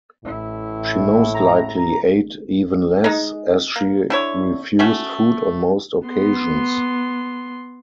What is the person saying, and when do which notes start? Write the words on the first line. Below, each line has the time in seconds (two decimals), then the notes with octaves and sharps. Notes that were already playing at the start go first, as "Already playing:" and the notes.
She most likely ate even less, as she refused food on most occasions.
0.25 A1 A2 E4
1.34 A#5
3.04 G#3 D#4
3.76 A#3
4.10 D3 E4 C#5
4.79 A3 C#4 F#4
6.07 B3 C6